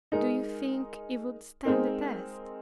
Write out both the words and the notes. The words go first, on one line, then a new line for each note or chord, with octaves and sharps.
"Do you think he would stand the test?"
G#3 D#4 A#4
G#3 C4 D#4 A#4